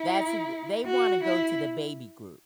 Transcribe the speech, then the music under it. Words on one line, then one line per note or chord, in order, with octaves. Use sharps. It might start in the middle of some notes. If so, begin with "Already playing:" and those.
that's who they wanna go to the baby group.
Already playing: E4
F#4
E4